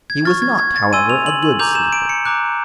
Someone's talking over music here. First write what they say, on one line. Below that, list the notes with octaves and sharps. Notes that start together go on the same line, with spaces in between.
He was not, however, a good sleeper.
G#6
C#6 F6 A6
G#6
G#6
A6
G#5 C6 E6 D#7
F7
F#7
F#7
A#5 D6 G6 F7
E7
D7
C#7
A#5 D6 F#6